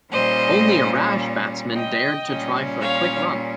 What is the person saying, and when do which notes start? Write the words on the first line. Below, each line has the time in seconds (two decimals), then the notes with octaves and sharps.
Only a rash batsman dared to try for a quick run.
0.11 A#2 G3 C#4 C5 D#5
1.73 D#5 G5
2.28 A#2 G3 C#4
2.81 C#5 F5